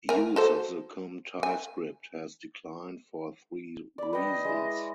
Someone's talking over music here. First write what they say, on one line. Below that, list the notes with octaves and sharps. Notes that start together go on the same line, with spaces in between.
Use of the Khom Thai script has declined for three reasons.
A#4 G#5
F#4 A4 C5
G#5
D5 B5
B4 D#5 G5
G#3 E4